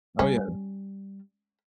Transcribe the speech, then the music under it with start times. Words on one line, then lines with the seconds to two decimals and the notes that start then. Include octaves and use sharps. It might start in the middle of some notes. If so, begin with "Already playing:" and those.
Oh yeah.
0.19 G3 C#4